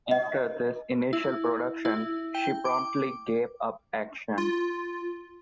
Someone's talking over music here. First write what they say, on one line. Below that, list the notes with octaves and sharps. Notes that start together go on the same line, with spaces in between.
After this initial production she promptly gave up acting.
D#5
E4
E4
G5
D6
F4